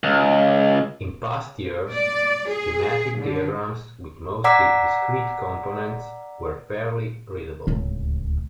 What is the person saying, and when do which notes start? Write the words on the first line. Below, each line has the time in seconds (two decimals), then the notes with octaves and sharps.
In past years, schematic diagrams with mostly discrete components were fairly readable.
0.04 C#2
1.93 D5
2.50 G#4
3.19 D3
4.44 D5 F#5 A#5 D6 E6 B6
7.67 D1 C#2